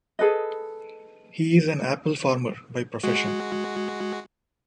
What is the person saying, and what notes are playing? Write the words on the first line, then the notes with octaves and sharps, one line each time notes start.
He is an apple farmer by profession.
G#4 A4 B4 D#5
G#3 F#4